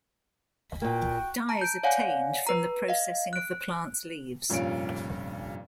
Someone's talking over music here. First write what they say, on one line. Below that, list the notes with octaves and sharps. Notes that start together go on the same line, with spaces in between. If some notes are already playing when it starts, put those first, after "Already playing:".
Dye is obtained from the processing of the plant's leaves.
A#2 A#3 F#4 G5
A5 A#5
G6 D7
C#5 D5 F5 F#5 G#5
B4 A#5
D#5 F5
F#6 D7
F1 G2 A#2 C#4 F5 D7